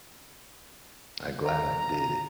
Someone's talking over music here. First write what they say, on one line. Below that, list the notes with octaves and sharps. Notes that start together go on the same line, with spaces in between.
I glad I did it.
A#5